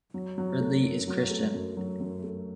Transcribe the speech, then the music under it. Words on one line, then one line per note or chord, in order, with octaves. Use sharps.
Ridley is Christian.
F#3
F#3
A3
F#2
F#3
A3
F#2
F#3
F#2
A3